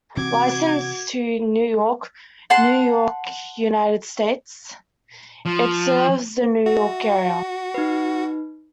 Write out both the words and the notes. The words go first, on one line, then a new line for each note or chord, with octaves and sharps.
Licensed to New York, New York, United States, it serves the New York area.
C3 E3 C4 F#4 D6 G#6
F#5 A5 C6
F3
F#4 E5
D#4 B4